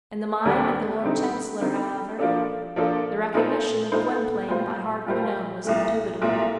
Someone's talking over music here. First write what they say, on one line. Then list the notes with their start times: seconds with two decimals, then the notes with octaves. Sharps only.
In the mind of the Lord Chancellor, however, the recognition of Gwynplaine by Hardquanonne was indubitable.
0.46 D#2 D3 G3 D4
1.04 D3 G3 C4 D#4
1.61 D3 G3 C4 D#4
2.19 F3 A#3 D4 A4
2.76 F3 A#3 D4 A4
3.34 A#2 A3 D#4 A4 C5
3.92 A#2 A3 D#4 A4 C5
4.48 A#2 G3 A#3 F4 C5
5.06 A#2 G3 A#3 F4 C5
5.64 C2 A#2 A3
6.21 C2 A#2 A3